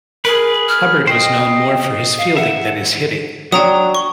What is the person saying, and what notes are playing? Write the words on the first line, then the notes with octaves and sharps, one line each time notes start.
Hubbard was known more for his fielding than his hitting.
G#4 A#4 B4
F6
C5 D#5 G5
F5
E5 F#5
F#3 D4 G5 A#5 D#6
C#6 G7